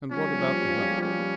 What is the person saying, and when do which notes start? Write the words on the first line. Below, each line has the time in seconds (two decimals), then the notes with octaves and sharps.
"And what about the hut?"
0.11 F3 C#4
0.17 G3
0.25 F3
0.32 G3
0.39 F3
0.47 G3
0.55 F3
0.62 G3
0.68 F3
0.76 G3
0.83 F3
0.91 G3
0.98 F3
1.02 G3 C#4
1.12 F3
1.19 G3